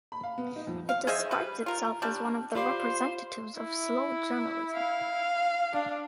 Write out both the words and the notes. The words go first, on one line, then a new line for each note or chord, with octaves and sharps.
It describes itself as one of the representatives of slow journalism.
B5
F5
B3
D#4
F2
F5
G#4 C5 D#5 E5
G3 B4
F4 A#4
G3 A3 D4
F4 G4 C5 D5 F5 B5 D6
E4
F5
D4